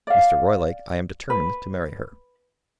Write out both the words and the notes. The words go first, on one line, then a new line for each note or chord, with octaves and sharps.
Mr. Roylake, I am determined to marry her.
D5 F5
B4